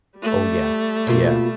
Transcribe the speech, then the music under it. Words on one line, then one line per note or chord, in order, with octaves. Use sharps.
Oh, yeah. Yeah.
G3 A3
B2 A#3 F4